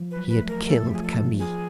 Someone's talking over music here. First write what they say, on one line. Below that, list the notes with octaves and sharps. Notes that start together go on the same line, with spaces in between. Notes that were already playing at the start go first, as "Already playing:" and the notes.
He had killed Camille.
Already playing: F3
B4
F#3
B4
A3
A#4
A3 A4 A#4
G4
F3 G#4
A4
F3 G#4